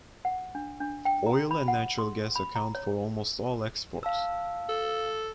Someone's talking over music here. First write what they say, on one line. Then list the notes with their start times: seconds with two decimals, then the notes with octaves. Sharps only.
Oil and natural gas account for almost all exports.
0.25 F#5
0.55 D4
0.80 D4
1.05 G5
1.26 A#5
1.51 B5
1.68 F#5
1.98 C6
2.36 B5
2.56 A#5
2.75 C#5
4.03 F5 A5 E6
4.69 A4